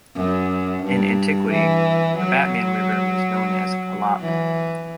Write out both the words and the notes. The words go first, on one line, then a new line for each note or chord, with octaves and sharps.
In Antiquity, the Batman River was known as "Kalat".
F#2
G2
E3
F#3
E3